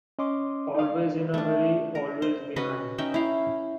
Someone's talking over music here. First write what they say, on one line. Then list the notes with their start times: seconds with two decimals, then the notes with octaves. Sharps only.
Always in a hurry, always behind.
0.19 C#4 D#5 C6 D6
0.75 D#4 D5 F5
1.34 A3 D4
1.95 A#4
2.22 C5
2.56 C#4 F#4 B4 D#5
2.98 C#4 D#4 E5 G5
3.14 E4 F5